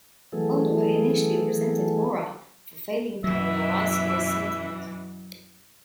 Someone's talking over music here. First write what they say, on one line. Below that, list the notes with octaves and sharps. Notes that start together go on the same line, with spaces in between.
Odo initially resented Mora for failing to realize he was sentient.
E3 F#3 A3 B3 G#4 A4
F#2 B2 E3 F#3 E5